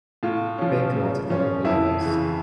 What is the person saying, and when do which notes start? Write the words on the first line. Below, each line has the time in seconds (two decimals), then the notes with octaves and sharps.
Big multicolored balloons.
0.23 A2 F4
0.58 F3 C#4
0.94 C#3
1.30 F3 C#4
1.64 F2 E4
2.01 C#3 E3